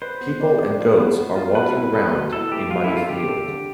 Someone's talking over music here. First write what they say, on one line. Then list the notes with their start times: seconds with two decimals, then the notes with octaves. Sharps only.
People and goats are walking around a muddy field.
0.02 B4 C5
0.21 B3
0.40 D4
0.59 D4
0.78 F4
0.98 B3
1.18 B3
1.36 F4
1.55 B2 B4
1.74 E4
1.94 A4
2.13 B2
2.33 E4 A4
2.52 A3 G4
2.71 B2 F4
2.84 E4
2.90 A4
2.97 F4
3.09 D3 G4
3.29 A4
3.48 D3